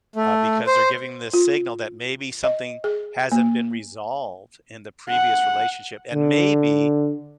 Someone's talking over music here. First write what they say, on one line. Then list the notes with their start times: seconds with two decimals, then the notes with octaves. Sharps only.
Uh, because they're giving this signal that maybe something hasn't been resolved in the previous relationship, and maybe
0.16 A3
0.67 C5
1.34 F4
2.44 D#5
2.84 G#4
3.32 A#3
5.10 F#5
6.14 D3